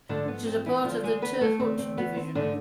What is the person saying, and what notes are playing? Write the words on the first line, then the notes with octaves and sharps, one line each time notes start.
It is a part of the Tirhut Division.
G#2 D3 F3 A3 D4
B3
C4
E3 E4
E2 D3 F3 A3 F4
G#3 G#4
B3 B4
A3 A4
E2 D3 A3 C4
C4
B3
C4
G#2 D3 E3 A3 D4